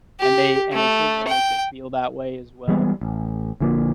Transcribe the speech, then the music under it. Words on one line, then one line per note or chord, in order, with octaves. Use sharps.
And they and it certainly makes it feel that way as well.
G4
A3
G5
E3 G3 G#3 B3
A1
A#1 D3 F3 A#3